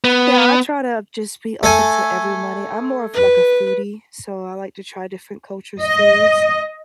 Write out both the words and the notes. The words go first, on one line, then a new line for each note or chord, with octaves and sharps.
Yeah, I try to just be open to everybody, I'm more of, like, a foodie, so I like to try different cultures' foods,
B3
A3 A4 G#5
B4
D#5